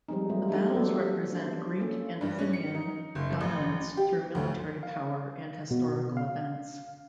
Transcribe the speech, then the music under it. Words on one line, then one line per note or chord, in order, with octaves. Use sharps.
The battles represent Greek and Athenian dominance through military power and historical events.
F3 G3 G#3 C4 D#4
E3 F#3 G3 A3 C4 F4
G3 A3 D4 D#4
F#3 A#3 G4 A4
D4 C5
A#3 C#4 F4 A4
G2
C#4
C#7
D#4
F#1
A1
G4
D2
F5
B2
F5